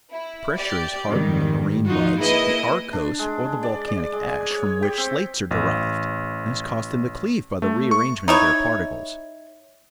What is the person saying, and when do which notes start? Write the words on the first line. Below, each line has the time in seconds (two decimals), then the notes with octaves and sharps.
Pressure has hardened the marine muds, the arkose, or the volcanic ash from which slates are derived, and has caused them to cleave by the rearrangement of their particles.
0.11 E4
0.57 G4 D5
1.10 G#2 D#3 G3
1.87 F3 D#4 F4 F#4
2.19 A#3 E4 G#4 B4 D#5
2.93 D4
3.19 G#3
3.63 D5
3.87 D5
4.13 G#3
4.29 G#5
4.51 C#5
4.82 G4
4.98 C4
5.51 A1
7.62 A3
7.91 C#6
8.28 D#4 E4 C#5